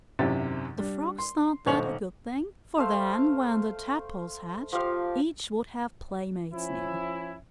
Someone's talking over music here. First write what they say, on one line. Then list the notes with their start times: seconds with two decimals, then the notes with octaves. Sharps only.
The Frogs thought that a good thing, for then, when the Tadpoles hatched, each would have playmates near.
0.19 G#1 F#2 C3 E4 G4 A6
0.78 G3 D4
1.18 C6
1.66 D#1 B1 C5 C#6 F7 F#7
2.78 A3 A4 C5 F5
4.73 F3 G4 F5
6.54 F3 C#4 E4